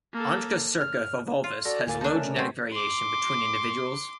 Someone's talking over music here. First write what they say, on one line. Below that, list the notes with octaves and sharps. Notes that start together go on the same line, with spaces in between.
"Onchocerca volvulus" has low genetic variation between individuals.
A#3 A4
F6
F4
F#4 A4 D5 A#6
D2 A#3 G#5 A6
D4 D#4 A5
A3 C#4 A#4
F#3 C4 C#6
C6 D6